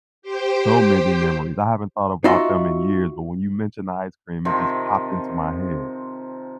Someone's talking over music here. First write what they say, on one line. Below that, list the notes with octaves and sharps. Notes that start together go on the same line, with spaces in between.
so many memories, I haven't thought about them in years, but when you mentioned the ice cream, it just popped into my head.
G4 C5 G5
D#4 F4 F#4 D#5 E5
C3 D#3 F3 C4